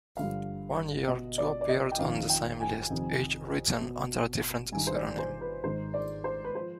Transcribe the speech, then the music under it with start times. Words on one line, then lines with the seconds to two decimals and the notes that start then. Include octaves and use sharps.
One year, two appeared on the same list, each written under a different pseudonym.
0.17 G2 D3 F3 F5
1.08 B2 D#5
1.38 D5
1.61 D5
1.69 D#5
1.92 G5
1.98 F2 D#3 F5
2.29 G5
2.60 G#5
2.90 F2 C3 D#3
3.81 B2
4.72 G2 D#3 G#5
4.87 C5
4.96 D5
5.19 C5
5.41 B4
5.64 G#2 D#3 C5
5.94 D5
6.24 C5
6.44 B4
6.55 F3 C5